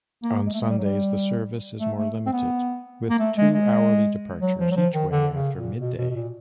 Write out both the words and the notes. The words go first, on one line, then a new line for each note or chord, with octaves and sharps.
On Sundays the service is more limited, with two-hourly departures each way after midday.
A#3
G#3
A3
G#3
G3
F#3
G3
A3
A3
C4
B3
A#3
A3
G#3
G#3
F#3
F3
F#3
F3
D#3
D3
C#3
A#2
B2
B2
B2
A#2